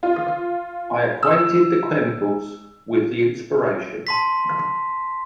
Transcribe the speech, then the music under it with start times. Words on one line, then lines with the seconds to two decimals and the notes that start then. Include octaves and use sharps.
I equated the chemicals with the inspiration.
0.03 F4
1.23 E6
4.07 A5 C6 B6